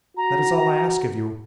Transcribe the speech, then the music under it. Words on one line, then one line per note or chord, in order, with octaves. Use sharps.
That is all I ask of you.
F#4 A#5